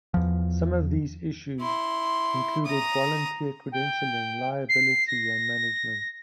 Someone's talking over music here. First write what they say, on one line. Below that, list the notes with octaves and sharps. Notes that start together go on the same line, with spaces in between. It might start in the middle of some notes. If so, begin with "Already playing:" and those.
Some of these issues included volunteer credentialing, liability, and management.
E2 F3
E4 C6
A#5 D#6
G5
C7
A#6